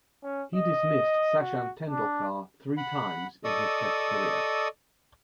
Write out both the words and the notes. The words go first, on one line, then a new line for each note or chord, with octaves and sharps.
He dismissed Sachin Tendulkar three times in his Test career.
C#4
D#5
F#4
D4
F#5 B5
A4 D5 D#5 C#6 D#6 E6